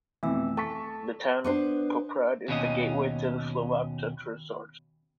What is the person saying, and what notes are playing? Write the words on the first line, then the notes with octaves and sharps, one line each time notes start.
The town of Poprad is the gateway to the Slovak Tatra resorts.
F2 B2 E3 A3 E6
A4 A5 C#6 B6
B3 D4 C5
D#2 B2 C#4 D#5